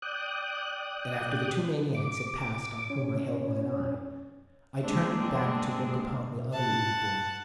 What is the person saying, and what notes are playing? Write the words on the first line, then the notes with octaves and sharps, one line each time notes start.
And after the two maniacs had passed On whom I held mine eye, I turned it back To look upon the other evil-born.
D5 G5 D#6 F#6
D6
C#4
G2 G#3 A#3 C4 D4
F#5 A5